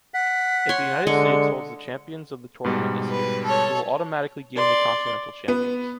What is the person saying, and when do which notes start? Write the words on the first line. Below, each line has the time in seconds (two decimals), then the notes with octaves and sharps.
If the United States holds the champions of the tournament this year, it will automatically gain the continental champions.
0.14 F#5 B6
0.69 C#5 C6
1.07 D3 G#3 C#7
2.64 G#2 B2 G3
3.10 B4
3.45 A4 C#5
4.55 D5 C6
5.48 B3